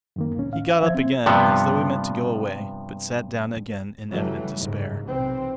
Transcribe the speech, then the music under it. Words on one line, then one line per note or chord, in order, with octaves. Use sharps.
He got up again as though he meant to go away, but sat down again in evident despair.
F#2 D#3 A#3
C#2 A2 C#4
F5
F3 C5 E5 G#6
C4
G2 C3 F3 B3
C#3 E3 F#3 G3 A3
D#2 G#2 C#3
B1 C3 E3 C4